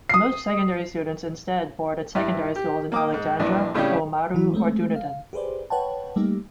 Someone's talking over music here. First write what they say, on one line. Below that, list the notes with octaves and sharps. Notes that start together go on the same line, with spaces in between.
Most secondary students instead board at secondary schools in Alexandra, Oamaru or Dunedin.
D#6 C7
G2 E4
G4
A#3 D6 D#6
G#2
A#1 G2 E3 D4
A2 C#3 G3 C#4 D4 G4
E3 E4
G#3 A3 C4
F5
G4 G#4 B4 C5 D5
B4 C#5 F#5 G5 A5
G3 A3 A#3 D#4 G4